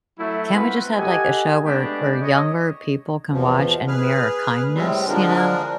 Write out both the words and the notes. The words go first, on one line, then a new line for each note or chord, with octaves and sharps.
"Can't we just have, like, a show where where younger people can watch and mirror kindness, you know?"
F#3 A3 E4
B3 C4 F4 F#4 B4
G4 A4 D#5 F#5 G#5
G#3 A3 B3 D4 G4 G#4
C#5 D#5
E2 B2 F3
G#4 B4 F6
A2 C3 G3 G#3 C4
D3 F3 G#3 D4 A#4